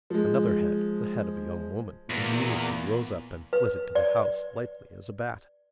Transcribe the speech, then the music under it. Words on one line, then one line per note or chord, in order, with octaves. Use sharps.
Another head--the head of a young woman--immediately rose up and flitted to the house, lightly as a bat.
F3 G#3
E2 A#2 A#3
B4
D5